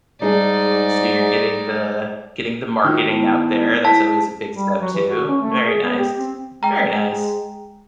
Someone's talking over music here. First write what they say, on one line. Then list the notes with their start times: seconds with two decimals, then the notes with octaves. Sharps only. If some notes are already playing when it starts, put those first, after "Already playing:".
So, you're getting the getting the marketing out there. That's always a big step too. Very nice, very nice.
0.22 G#2 G3 D#4 G#4 D5
2.84 D#3 D#4 F4 F#4
3.05 B3 E4 A5
3.85 E4 A5 B6
4.55 G3
4.81 F#3
4.94 E3
5.08 F#4
5.28 C#4
5.41 A3
5.65 G#4
5.83 B3
5.98 G4
6.18 C4
6.63 G#3 G5 A#5